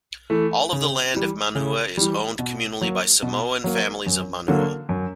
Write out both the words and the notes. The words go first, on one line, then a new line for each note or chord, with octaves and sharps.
All the land of Manua is owned communally by Samoan families of Manua.
E3 A3
C#3
E3 G3
C#3
E3 G3
B2
F#3 A#3
B2
F#3 A#3
F#2
D3 F#3 A#3
F#2